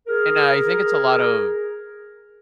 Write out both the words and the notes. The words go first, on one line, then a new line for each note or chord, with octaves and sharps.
and I think it's a lot of
G#4 A#4